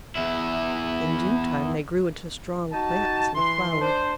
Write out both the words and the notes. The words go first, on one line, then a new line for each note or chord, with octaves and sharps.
In due time they grew into strong plants and flowered.
E2 E4
D#4 F#4 A5
E3 C6
D4 C5